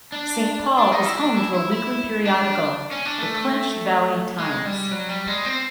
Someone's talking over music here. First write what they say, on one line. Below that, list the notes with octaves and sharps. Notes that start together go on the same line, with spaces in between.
Saint Paul is home to a weekly periodical, the "Clinch Valley Times".
D4
D4
D#4
E4
D4
E4
E4
E4
D4
C#4
D4
A3
G#3
G3
F#3
G3
G#3
C4